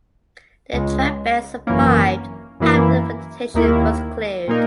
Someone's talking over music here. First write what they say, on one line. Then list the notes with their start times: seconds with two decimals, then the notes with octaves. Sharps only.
The trackbed survived after the vegetation was cleared.
0.73 C#2 C#3 G#3
1.67 G#1 F#2 E3 A#3 C#4
2.60 F#2 E3 A#3 E4
3.54 D#2 D#3 A#3 E4
4.48 A#2 A#3 D#4 A#4